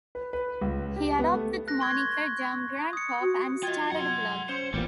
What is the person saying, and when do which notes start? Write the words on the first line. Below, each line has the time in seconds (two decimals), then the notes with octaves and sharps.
He adopted the moniker "Dorm Grandpop" and started a "blog".
0.15 B4
0.33 B4
0.61 C#2
0.96 G4
1.19 B3
1.34 A3
1.68 F#6 A#6
1.80 C6 C#6 G#6
2.93 D#6 C#7
3.22 F#4
3.63 F4 D#5 G5 G#6
3.91 F#2 F#5 C6
4.49 C#4 C5 C#7
4.74 A1 A#2 G3 B3